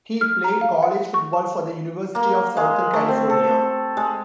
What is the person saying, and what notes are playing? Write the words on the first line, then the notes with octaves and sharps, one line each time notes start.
He played college football for the University of Southern California.
F6
A#5
F5
F#5
C#6
A5
A#3
G#3
A3
C4
A4
G#3